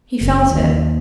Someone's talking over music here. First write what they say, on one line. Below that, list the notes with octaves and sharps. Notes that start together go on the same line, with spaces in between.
He felt it.
F#1
D#2